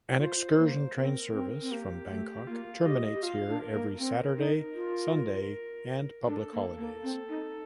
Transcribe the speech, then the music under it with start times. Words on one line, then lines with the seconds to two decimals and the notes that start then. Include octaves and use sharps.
An excursion train service from Bangkok terminates here every Saturday–Sunday and public holidays.
0.19 F4 C5
0.58 A#3
0.96 C4 A#4
1.33 C4
1.61 C4
1.72 A#3 G4
2.09 A3
2.47 A#3 F4
2.85 G4 D#5
3.15 G4
3.23 F4 F5
3.48 D4
3.61 A#4
3.73 A#3
3.99 C4 A#4
4.37 D#4
4.75 F4
6.27 D4 A4
6.53 A#3
6.77 A#3
7.03 C4
7.29 D#4